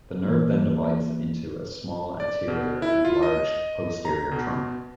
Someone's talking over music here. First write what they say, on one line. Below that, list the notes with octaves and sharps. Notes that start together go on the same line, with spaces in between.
The nerve then divides into a small anterior and large posterior trunk.
E3 A#3
D5
B2
E4
F4
D#5
A#5
B2